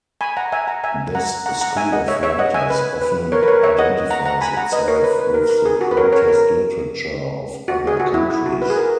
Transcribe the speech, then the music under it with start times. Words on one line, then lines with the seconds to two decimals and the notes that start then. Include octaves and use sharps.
This school of writers often identifies itself with the protest literature of other countries.
0.21 G#5 B5
0.37 F#5 A#5
0.52 E5 G#5
0.67 F#5 A#5
0.84 E5 G#5
1.15 F#5 A#5
1.46 F#5 A#5
1.61 F#5 A#5
1.77 E5 G#5
1.92 D#5 F#5
2.08 C#5 E5
2.23 C#5 E5
2.39 D#5 F#5
2.54 E5 G#5
2.70 B4
3.02 B4
3.32 A#4 C#5
3.43 B4
3.48 A#4 C#5
3.63 C#5 E5
3.79 D#5 F#5
4.10 F#5 A#5
4.25 F#5 A#5
4.41 G#5 B5
4.57 F#5 A#5
4.72 B4 D#5
4.88 A#4 C#5
5.04 B4
5.19 B4
5.34 A#4
5.50 A#4
5.66 G#4
5.81 F#4
5.91 B4
5.97 A#4 C#5
6.12 A#4 C#5
6.28 A#4
7.68 F#4
7.87 G#4
8.00 F#4
8.14 E4
8.30 E4
8.46 F#4
8.62 B4
8.70 G#4
8.76 A#4